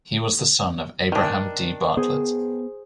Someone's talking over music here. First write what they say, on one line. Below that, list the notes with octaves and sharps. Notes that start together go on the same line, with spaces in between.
He was the son of Abraham Dee Bartlett.
D#3 D4
B3 G#4 C5